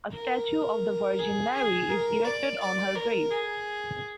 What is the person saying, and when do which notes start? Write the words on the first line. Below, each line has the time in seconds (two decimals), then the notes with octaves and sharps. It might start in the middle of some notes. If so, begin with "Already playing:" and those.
A statue of the Virgin Mary is erected on her grave.
0.13 A#4
1.20 G#4
1.55 G#4
1.90 A#4
2.25 D5
2.60 D5
2.96 A#4
3.31 G#4